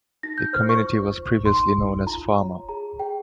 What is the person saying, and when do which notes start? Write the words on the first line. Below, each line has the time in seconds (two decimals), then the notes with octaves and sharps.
The community was previously known as Farmer.
0.23 D#4 A#6
0.38 G6
0.53 C5 F6
0.69 C#6
0.84 F4
1.15 C5
1.45 D#4 C6
1.76 D#4
2.07 F4 A#5
2.37 C#5
2.69 G#4 A#5
2.99 G#4 G5